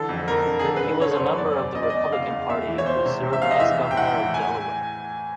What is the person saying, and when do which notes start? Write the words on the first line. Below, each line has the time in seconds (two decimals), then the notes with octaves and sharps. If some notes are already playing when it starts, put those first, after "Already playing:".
He was a member of the Republican Party who served as Governor of Delaware.
Already playing: D3 E3 A4
0.09 F2
0.28 F2 A#4
0.46 D3
0.60 G#4
0.65 D3 A4
0.76 B4
0.83 D3
1.01 D3 C#5
1.11 C5
1.20 F#2 C#5
1.38 E2 D5
1.57 E2
1.75 C#3 D#5
1.83 D5
1.90 E2 D#5
2.12 E2 F5
2.31 E2
2.49 E2 E5
2.68 E3
2.78 C#5
2.86 E2 C5
3.05 C3
3.23 C3
3.33 E5
3.42 E2 F5
3.51 D#5
3.60 E3 E5
3.79 A2
3.91 G5
3.97 A2 F#5
4.16 E3
4.34 G#5